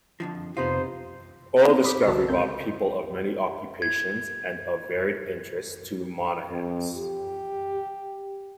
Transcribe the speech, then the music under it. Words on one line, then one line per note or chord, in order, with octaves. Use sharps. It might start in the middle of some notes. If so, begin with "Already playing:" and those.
Oil discovery brought people of many occupations and of varied interests to Monahans.
F2 D3 F3
F2 C3 B3 D#4 F4 C5
B3 C4 D#4
B5 D6 D#6 B6
C2 D3 F#4 A5 E6
C#2 C4 A#4 G6
G#6
F2
G4